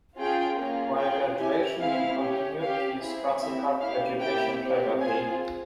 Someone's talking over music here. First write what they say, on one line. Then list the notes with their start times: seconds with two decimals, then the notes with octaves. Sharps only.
While graduation he continued his classical education privately.
0.18 C#4 F4 G#4 G5
0.59 A#3 C#4 F4 G#4
0.99 C#4 F4 G#4 G5
1.39 C#4 E4 G4 G#5
1.79 C4 E4 G#4 F5
2.19 C#4 G4
2.60 C#4 G4 F5
3.00 C4 E4 G#4
3.40 C4 E4 G4 E5
3.81 A#3 C#4 E4 G4 F5
4.21 A#3 E4 G4 G5
4.61 C4 G4
5.01 C4 F4 G#4 G#5